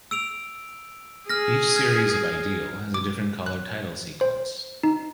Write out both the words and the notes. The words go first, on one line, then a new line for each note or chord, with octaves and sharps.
Each series of "Ideal" has a different coloured title sequence.
E6 D7 F7
G#4 F6 A#6
F6 G#6
D6
F#6
C5
D#4